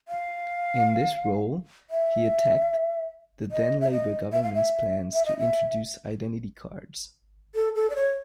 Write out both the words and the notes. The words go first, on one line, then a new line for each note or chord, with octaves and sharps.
In this role, he attacked the then Labour government's plans to introduce identity cards.
F5
E5
D#5
E5
D#5
E5
F5
E5
E5
D#5
E5
A4
A4
D5
C#5